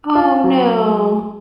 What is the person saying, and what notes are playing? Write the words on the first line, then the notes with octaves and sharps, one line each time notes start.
Oh, no.
F4
F#3